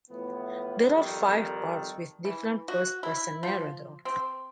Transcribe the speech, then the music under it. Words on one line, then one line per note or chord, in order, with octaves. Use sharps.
There are five parts with different first-person narrators.
A2 E3 F3 B3
G#1 F2 D#3 G3 A4
E3
F#4
E4
F3
C4